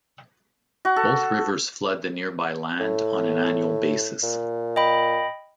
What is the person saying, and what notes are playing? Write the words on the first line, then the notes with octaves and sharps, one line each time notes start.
Both rivers flood the nearby land on an annual basis.
F#4
A4
A2
A#2
D#5 G5 B5